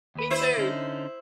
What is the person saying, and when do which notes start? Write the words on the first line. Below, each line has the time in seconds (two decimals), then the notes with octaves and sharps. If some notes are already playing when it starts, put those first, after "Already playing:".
Me too.
0.15 D#2 B4
0.30 E4 C5
0.57 D3 C#4 D#4